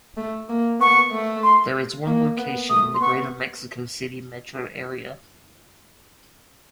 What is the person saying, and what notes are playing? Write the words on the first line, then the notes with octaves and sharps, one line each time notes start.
There is one location in the Greater Mexico City metro area.
A3
A#3
B3 C#6
A3
C6
A#3
B3
A3 D#6
C6
B3 C#6